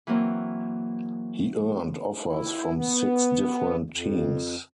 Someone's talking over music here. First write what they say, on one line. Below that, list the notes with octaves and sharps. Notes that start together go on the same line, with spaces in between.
He earned offers from six different teams.
E3 F#3 A#3 C4
E4
B3
F2